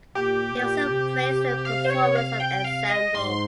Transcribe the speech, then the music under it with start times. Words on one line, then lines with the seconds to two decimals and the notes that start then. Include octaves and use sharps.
He also praised the performance of ensemble.
0.15 A#2 G4
0.53 A#2
0.90 C3
1.65 F5
1.85 C5
1.90 C#5
2.15 F5
2.40 G5
2.64 F5
2.90 D#5
3.15 G#2 C6